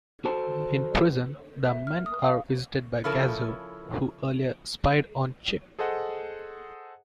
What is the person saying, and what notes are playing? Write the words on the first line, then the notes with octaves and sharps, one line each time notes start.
In prison, the men are visited by Gazoo, who earlier spied on Chip.
F#4 A4 C5 A5
E5
F6
D#6
F5
C#3 F3 C#4 E4 A4 A#4
G#4 A4 C5 D#5 F#5